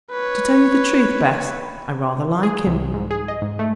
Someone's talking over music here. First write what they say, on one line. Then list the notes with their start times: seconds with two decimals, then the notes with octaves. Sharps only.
To tell you the truth, Bess, I--rather like him.
0.11 B4 C#5
2.43 G#4
2.67 C2
2.94 G#2
3.11 G#4
3.28 D#5
3.42 G#2
3.59 A3